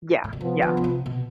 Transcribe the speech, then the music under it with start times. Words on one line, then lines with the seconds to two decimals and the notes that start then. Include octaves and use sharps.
Yeah, yeah.
0.24 A2
0.33 B2
0.41 C3 F3 B3 F4
0.62 D3
0.77 D3
0.84 C3
1.06 B2